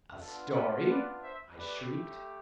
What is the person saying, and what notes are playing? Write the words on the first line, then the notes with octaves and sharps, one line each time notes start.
"A story!" I shrieked.
B3 D4 F4 A4
G4 B4
B4 D5
C5 E5
A3 E4 G4 B4 D5